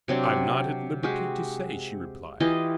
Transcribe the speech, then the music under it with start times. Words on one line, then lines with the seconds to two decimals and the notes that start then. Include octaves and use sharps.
"I'm not at liberty to say," she replied.
0.08 C3 F#3 C4 D4
1.03 G#3 F#4 G4
2.40 E3 F4 G4 D#5